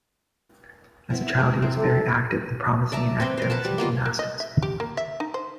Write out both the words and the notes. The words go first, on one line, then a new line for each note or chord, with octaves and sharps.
As a child he was very active and promising in academics and gymnastics.
B3 C4 E4
G#3 G#4 A#4
C3 C4 E4
G3 A4
D5 E5 A5 A#5
C4 B4 G5
A#4 C5
B4 F#5 A5
G3
A#3 B3 F4 D#5
A#3
D#5
E5
G4
A#3
E5
D#4
C5